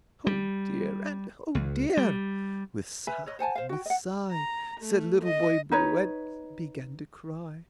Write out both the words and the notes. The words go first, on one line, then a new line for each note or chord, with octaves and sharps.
"Oh dear! and oh dear!" with sob and with sigh, Said Little Boy Blue, and began to cry.
G3
C#2
G3
B4 E5 G#5 B5
C#5 D#5
C5 F#5 G#5 A5
C5 F5
F#4 G5
D#5 F#5
A#5
A3
D#5
D#4 B4 C#5